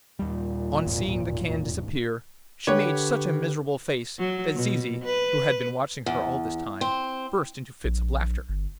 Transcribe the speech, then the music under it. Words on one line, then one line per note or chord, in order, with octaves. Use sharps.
On seeing the can disappear, she made such a miserable face that Zizi, who had been watching her all this time, burst into fits of laughter.
D#2 A#2 G3
E1 D#2 G#2
D3 G4 B4 C#5
F#3
B2
B4
E2
C4
A#1
G1